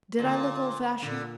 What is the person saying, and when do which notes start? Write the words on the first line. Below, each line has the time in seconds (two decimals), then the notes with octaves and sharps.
Did I look old fashioned?
0.19 A#2 D3
1.02 A#2 D3